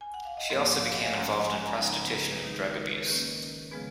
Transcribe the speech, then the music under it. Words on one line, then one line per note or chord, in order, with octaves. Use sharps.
She also became involved in prostitution and drug abuse.
G#5
F#5
F5
D#5
G#2 F3 A#3 A#4 C#5
C#5 F5
D#5 F#5
F5 G#5
G#2 F3 G#3 C#4 F#5 A#5
G#5 B5
F#5 A#5
G#5 B5
C#3 F3 B3 D#4 F#5 A#5
G#4 B4
G#4
G#4
D#3 G#3 D#4
A#4
G#4 B4
A#4 C#5
D#3 A#3 C#4
C#3 F3 G#3 B3 G#4 B4